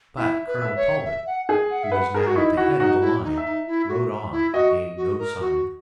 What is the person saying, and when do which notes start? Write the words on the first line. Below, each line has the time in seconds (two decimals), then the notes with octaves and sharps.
But Colonel Talbot, who was now at the head of the line, rode on and gave no sign.
0.17 E4 E5
0.47 B4
0.62 E5
0.76 C#5
1.05 E5
1.26 F#5
1.48 G#4 G#5
1.70 F#5
1.83 E5
1.91 B4 F#5
2.14 G#4 A#4
2.27 F#4
2.35 D#4 E4
2.57 E4 F#4
2.80 D#4 F#4
3.01 E4
3.23 D#4
3.37 E5
3.45 D#4
3.67 E4
3.88 F#4
4.32 E4
4.53 F#4 D#5
4.97 F#4
5.18 A#4
5.40 F#4